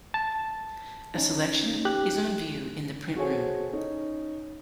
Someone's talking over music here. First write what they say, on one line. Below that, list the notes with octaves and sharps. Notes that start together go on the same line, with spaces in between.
A selection is on view in the print room.
A5
C#4 D#4
G4 F#6
F#4 G#4 A4 C5 C#5 G#5
C#4 D#4